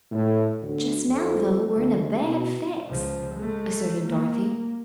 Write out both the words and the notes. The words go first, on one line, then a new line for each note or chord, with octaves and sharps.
"Just now, though, we're in a bad fix," asserted Dorothy.
A2
D2
F2
D2
B2
C#2 F3
G#3 A3
A#3